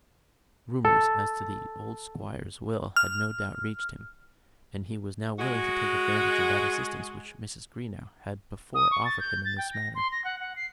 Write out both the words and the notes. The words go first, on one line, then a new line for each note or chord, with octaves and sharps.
Rumours as to the old Squire's will had no doubt reached him, and he was now willing to take advantage of that assistance which Mrs. Greenow had before offered him in this matter.
A4
F6
G#3 F#4
D#6
C#6
A6
G6
A6
G5
A#6
C6
A#6
F#5
F#5
C7